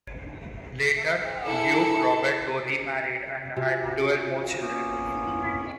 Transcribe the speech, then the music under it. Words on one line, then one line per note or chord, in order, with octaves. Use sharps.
Later, Duke Roberto remarried and had twelve more children.
E4 G#4 A4 C#7
C3 F4 F#4 G#5
A#3 B3 C#4
C4